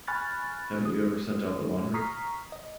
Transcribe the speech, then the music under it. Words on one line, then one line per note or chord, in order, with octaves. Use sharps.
Haven't you ever sent out the laundry?
G#5 B5 C#6 F6 F#6 A6
D#6
A#5 C#6 D#6 F6 B6 C7
D#5